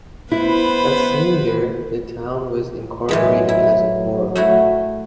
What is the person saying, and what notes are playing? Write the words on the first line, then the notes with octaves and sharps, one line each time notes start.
That same year, the town was incorporated as a borough.
B3 E4 B4 C5
A2 E3 F#3 G#3
E4
A3 E4 F#4